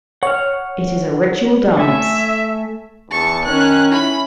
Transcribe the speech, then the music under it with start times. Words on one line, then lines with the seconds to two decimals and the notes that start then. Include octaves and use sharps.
It is a ritual dance.
0.23 C#5 F#5 F6
1.77 A3 E5 G#5
3.11 E2 A5 C#6
3.45 D#3 C#4 F#6
3.91 E4 B5